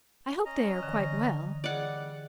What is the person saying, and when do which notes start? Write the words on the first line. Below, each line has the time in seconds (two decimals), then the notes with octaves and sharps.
I hope they are quite well.
0.45 C#4 D#5 A#5
0.83 D3 E3
1.64 G3 G#4 D5 D#5 F#5